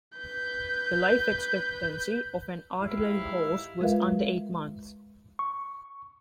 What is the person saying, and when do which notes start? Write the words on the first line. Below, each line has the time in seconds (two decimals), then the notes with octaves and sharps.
The life expectancy of an artillery horse was under eight months.
0.18 B4 G6
2.79 G#2 D#3 E4 G4 F5
3.81 G#3 F4 A#4 B4 E5 F5
5.39 C#6